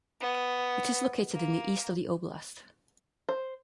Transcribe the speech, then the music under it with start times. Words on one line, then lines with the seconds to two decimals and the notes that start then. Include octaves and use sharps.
It is located in the east of the oblast.
0.21 B3
1.32 A#3
3.29 C5